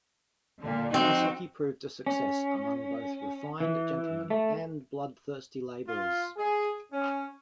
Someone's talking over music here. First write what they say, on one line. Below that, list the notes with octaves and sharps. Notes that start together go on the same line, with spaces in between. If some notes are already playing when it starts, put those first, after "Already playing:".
Ice hockey proved a success among both refined gentlemen and bloodthirsty labourers.
A#2 D3
F3 C4 D#4 F#4
C#4
E3
A3
F4
G#4
C#4